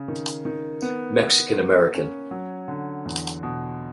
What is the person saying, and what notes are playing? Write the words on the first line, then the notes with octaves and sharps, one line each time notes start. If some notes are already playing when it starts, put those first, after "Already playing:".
Mexican American.
Already playing: C#3
D#3
D#3
B3
B3
A#3
C#4
F#3
D3
E2
B2